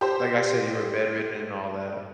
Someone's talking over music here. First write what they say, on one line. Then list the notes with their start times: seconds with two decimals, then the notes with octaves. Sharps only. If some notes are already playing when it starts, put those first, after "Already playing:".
like, I said, you were bedridden and all that.
0.01 G4 C5